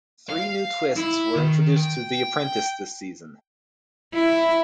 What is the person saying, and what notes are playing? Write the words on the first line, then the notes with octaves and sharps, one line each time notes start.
Three new twists were introduced to "The Apprentice" this season.
F5
E4
D#3
G5
E4